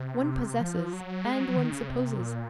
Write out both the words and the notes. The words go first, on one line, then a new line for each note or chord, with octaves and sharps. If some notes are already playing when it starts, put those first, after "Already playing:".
One possesses and one supposes.
Already playing: C3
F3
F#3
G#3
F#3
D#3
C#3
C3
A#2